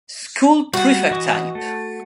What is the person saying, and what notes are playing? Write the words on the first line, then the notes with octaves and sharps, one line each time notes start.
School prefect type.
G3 F#4
E3 D#5 C#6
A3